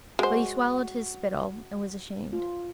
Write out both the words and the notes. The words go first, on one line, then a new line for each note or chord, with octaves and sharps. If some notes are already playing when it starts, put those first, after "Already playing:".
But he swallowed his spittle, and was ashamed.
G#3 F#4 C5
F4